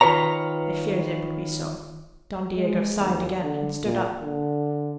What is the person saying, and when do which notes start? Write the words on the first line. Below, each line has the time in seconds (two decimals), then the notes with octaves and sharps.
"I feared it would be so." Don Diego sighed again, and stood up.
0.01 D#3 F4 A#4 B4 C#5 A#5
2.55 G#3
2.99 D#2
3.43 D3
3.84 A#2
4.21 D3